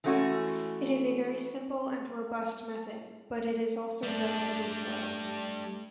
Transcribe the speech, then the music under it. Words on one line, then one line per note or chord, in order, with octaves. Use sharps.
It is a very simple and robust method, but it is also relatively slow.
E3 G#3 A3 C#4 F#4
G3 A3 D4